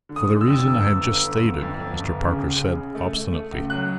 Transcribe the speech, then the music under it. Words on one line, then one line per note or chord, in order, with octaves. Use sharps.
"For the reason I have just stated," Mr. Parker said obstinately.
D3
D#6
D3
E6
F2
G1 E6
G1
G1
D3
G1
F2
G1
G1
C#3
C#2
C#3
C#3
A3
A3
A3
C#2
F#3 F#6